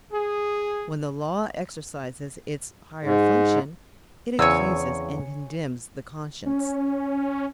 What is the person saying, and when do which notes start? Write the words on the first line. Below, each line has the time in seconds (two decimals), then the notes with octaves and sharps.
When the Law exercises its higher function it accuses and condemns the conscience.
0.11 G#4
3.04 G#2
4.39 E2 C#3 C4 C#5 G#5 E6
6.46 C#4